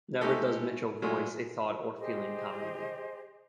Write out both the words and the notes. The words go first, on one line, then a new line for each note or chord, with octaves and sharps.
Never does Mitchell voice a thought or feeling commonly.
G#3 A3 D#4 E4 G4 A4
A#2 F#3 G#3 A3
G4 G#4 C5 D#5